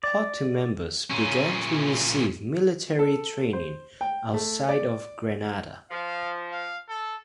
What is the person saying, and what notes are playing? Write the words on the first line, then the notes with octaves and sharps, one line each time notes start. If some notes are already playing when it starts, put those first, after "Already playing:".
Party members began to receive military training outside of Grenada.
D5
A#2 C#4
A4
C5
G5
A3
D5
F3 F5
F5
A4